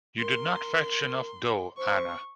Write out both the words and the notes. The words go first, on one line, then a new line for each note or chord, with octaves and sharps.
You did not fetch enough dough, Anna.
A#4 C6
C5 C#6